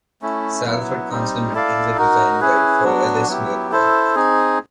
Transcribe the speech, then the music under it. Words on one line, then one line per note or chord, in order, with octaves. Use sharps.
Salford Council maintains a design guide for Ellesmere Park.
A3 C#4 E4
F#3 B3 E4
G3 C4 D#4
E4 A4 D5 F5
D#4 F#4 A#4
C#4 E4 G#4 B4
F#3 B3 D4 F#4
F#3 B3 E4 G4
E4 A4 C5
C4 D#4 G#4